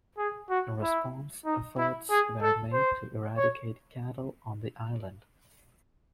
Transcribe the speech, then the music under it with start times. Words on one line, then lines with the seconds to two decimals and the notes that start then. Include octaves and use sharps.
In response, efforts were made to eradicate cattle on the island.
0.18 G#4
0.50 F#4
0.82 E4
1.45 D#4
1.78 E4
2.10 G#4
2.42 A4
2.73 C5
3.37 C#5